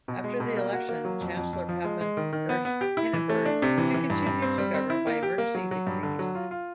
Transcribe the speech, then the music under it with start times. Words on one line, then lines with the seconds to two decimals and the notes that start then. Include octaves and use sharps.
After the election, Chancellor Papen urged Hindenburg to continue to govern by emergency decrees.
0.08 B2
0.24 G#3
0.40 B2
0.57 A#3
0.73 F#4
0.89 A#3
1.05 F#3
1.21 F2
1.37 F2
1.53 F2
1.69 F3
1.84 G#3
2.01 G#3
2.17 D#3
2.33 D#3
2.49 B3
2.65 B3
2.81 G4
2.97 E4
3.13 E3
3.29 A3
3.46 D4
3.62 C3
3.78 E3
3.94 E3
4.10 G2
4.26 G2
4.42 C4
4.58 G3
4.74 C4
4.90 E4
5.07 A#3
5.23 G4
5.38 A#3
5.55 F#3
5.71 F#3
5.87 G2
6.03 D3
6.19 F#3
6.35 F4
6.51 F4